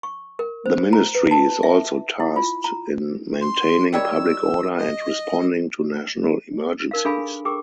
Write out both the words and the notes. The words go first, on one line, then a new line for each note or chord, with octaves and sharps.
The ministry is also tasked in maintaining public order and responding to national emergencies.
C#6
A#4
C5
A#5
B4
A5
E5
E4
F4
A#5
C6
D#3 G3 C#5 E6
D#5
D#4 A#4 F5
D4 G#4 A4 F5 G#5 B5
G#4 A#4 G5 C#6 D6